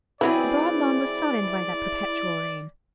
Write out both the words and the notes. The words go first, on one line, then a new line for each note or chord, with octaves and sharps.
The broad lawn was soddened by that perpetual rain.
E3 F#3 C4 E4 G#4 B4 D5